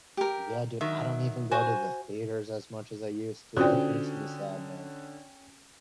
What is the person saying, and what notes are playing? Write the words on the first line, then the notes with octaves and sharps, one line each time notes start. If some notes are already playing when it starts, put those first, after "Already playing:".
Yeah, dude. I don't even go to the theaters as much as I used to, it makes me sad, man.
G4 A#4
D#3 F#3 E5
F#4 C5 G#5
D3 C#4 F4 F#4 C5 D5 G5 D#6